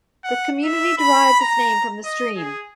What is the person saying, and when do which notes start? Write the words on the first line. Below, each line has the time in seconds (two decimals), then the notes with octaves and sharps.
The community derives its name from the stream.
0.24 F#5
0.64 E5
0.98 B5
1.40 A#5
2.04 D#5
2.36 G#4